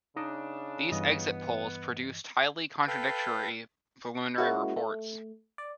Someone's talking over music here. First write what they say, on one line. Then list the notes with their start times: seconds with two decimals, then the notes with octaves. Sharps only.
These exit polls produced highly contradictory preliminary reports.
0.17 C#3 D4 D#4 D#5 D6
0.92 G2 E3 B3 D#5
2.88 A4 B4 F5 G5
4.38 G#3 A#3 C#4 E4 F#4
4.76 A3
5.58 D5